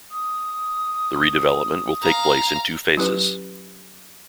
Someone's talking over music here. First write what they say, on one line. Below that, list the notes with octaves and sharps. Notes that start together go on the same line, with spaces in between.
The redevelopment will take place in two phases.
D#6
F5 A#5
F#3 C#4 E4 G4 B4